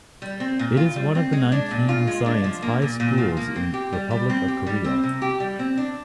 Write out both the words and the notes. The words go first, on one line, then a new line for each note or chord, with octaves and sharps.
It is one of the nineteen science high schools in Republic of Korea.
G3
C4
A#2
F4
G3
C4
G#3
D4
A#2
F4
G#3
D4
F3
A#3
A#2
A#2
F3
A#3
C4
G4
G3
G3
C4
G4
G3
C4
C3
G4
G3
C4
D4